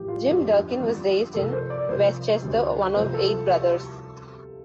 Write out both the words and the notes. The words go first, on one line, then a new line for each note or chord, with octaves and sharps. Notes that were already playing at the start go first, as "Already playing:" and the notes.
Jim Durkin was raised in Westchester, one of eight brothers.
Already playing: A1 A2 F3 G4
F4
G1 F2 F3 D4 G4
G1 G2 F3 D4
C2 C3 F3 A4
C5
D5
C2 C3 F3 C5
D2 D3 G3
C2 C3 F3 C5
A4